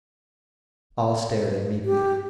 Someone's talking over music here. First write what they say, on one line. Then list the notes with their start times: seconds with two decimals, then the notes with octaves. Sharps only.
All stared at Mitya.
1.85 G4